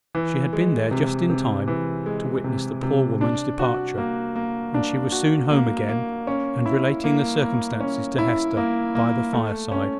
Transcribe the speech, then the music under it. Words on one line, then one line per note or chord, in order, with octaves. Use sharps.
She had been there just in time to witness the poor woman's departure; and she was soon home again and relating the circumstances to Hester, by the fireside.
E3
G#3
C3
C3
E3
G#3
C3
C3
D4
F#4
A#3
A#3
D4
F#4
A#3
A#3
C#4
E4
A#3
A#3
C#4
E4
A#3
A#3
A3
C#4